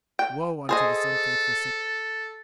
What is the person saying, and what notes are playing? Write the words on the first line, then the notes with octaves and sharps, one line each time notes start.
Woe unto this unfaithful city!
G5
G#4 A4 C5 D#5